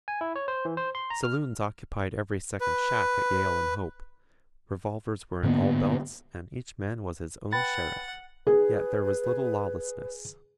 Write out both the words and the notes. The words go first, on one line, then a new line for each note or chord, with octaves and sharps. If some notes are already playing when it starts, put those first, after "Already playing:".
Saloons occupied every second shack at Yale and Hope; revolvers were in all belts and each man was his own sheriff; yet there was little lawlessness.
G#5
E4
C#5
C5
E3
C5
C6
A#5
F6
B4
G#2 D3 A#3 B3
B4 F#5 G5 B5 A6
G#4 B4